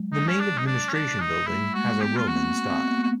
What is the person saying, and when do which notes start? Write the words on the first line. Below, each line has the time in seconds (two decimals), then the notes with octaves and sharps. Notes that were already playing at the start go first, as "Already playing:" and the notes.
The main administration building has a Roman style.
Already playing: F#3 G#3
0.13 D#4
0.28 C#4
0.40 D4
0.57 D#4
0.67 D4
0.89 C#4
0.93 D4
1.20 D#4
1.47 G3 A3 E4
1.74 G#3 A#3 F#4
2.01 A3 B3 G4
2.17 F4
2.28 A#3 C4 F#4
2.69 C4
2.78 B3
2.88 A#3
2.97 A3 B3
3.03 F#4